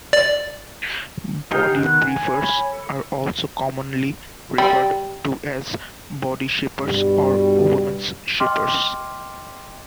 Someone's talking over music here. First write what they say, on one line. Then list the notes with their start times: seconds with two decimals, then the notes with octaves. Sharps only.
Body briefers are also commonly referred to as "body shapers" or "women's shapers".
0.13 D5
1.51 D#4 G4 G#4 F5 G5
1.71 D#3 B3 F#6
2.02 G#5
2.34 C#5 G#5 B5
2.73 A4
4.58 G3
6.84 G2 B2 G3
8.40 D#5 G5 C6 D6 F6